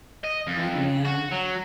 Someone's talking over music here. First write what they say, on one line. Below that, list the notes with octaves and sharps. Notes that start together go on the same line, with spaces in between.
Well, yeah.
D#5
F2
F#4
F#3